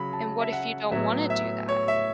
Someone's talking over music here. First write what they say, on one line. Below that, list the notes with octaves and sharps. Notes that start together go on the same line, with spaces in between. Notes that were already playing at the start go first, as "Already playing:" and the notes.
and what if you don't wanna do that?
Already playing: C#3 F#3 B5
A5
E5
F#5
A2 F#3 B3 E5
E5
C#5
E5